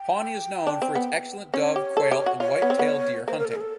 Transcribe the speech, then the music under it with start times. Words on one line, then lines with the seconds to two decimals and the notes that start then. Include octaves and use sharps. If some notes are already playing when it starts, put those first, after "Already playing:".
Pawnee is known for its excellent dove, quail, and white tail deer hunting.
Already playing: G5
0.67 D4
0.82 C4
0.95 B3
1.54 C#4 C#5
1.76 G4
1.97 A4
2.12 G4
2.26 F#4
2.40 F4 C#5
2.62 B3
2.70 C4
2.79 B3
3.28 A#3 C5
3.39 A#4
3.45 A4
3.49 A#4
3.55 G#4
3.60 A4